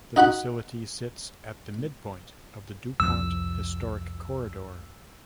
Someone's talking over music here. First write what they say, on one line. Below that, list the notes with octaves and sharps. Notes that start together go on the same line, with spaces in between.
The facility sits at the midpoint of the DuPont Historic Corridor.
D#4 F#4 F#5 B5
C2 F2 F3 E6